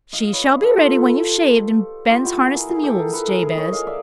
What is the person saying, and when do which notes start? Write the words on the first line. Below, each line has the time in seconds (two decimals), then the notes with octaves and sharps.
"She shall be ready when you've shaved and Ben's harnessed the mules, Jabez."
0.13 D#5 F5
0.33 B4 C#5
0.62 G4 A4
0.78 F4 G4
2.10 F4 G4
2.24 E4 F#4
2.39 F#4 G#4
2.54 G#4 A#4
2.69 G#4 A#4
2.83 G4 A4
2.98 G#4 A#4
3.13 A4 B4
3.28 G#4 A#4
3.42 G#4 A#4
3.57 C#5 D#5
3.73 D#5 F5
3.87 D5 E5